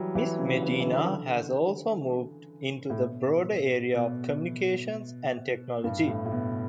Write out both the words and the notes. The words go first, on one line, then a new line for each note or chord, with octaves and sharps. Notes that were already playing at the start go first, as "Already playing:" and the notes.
Ms. Medina has also moved into the broader area of communications and technology.
Already playing: E3 F#3 G3
E3
C#3
E3
E3
D3
A2
B2
B2
G2
A2
A2
B2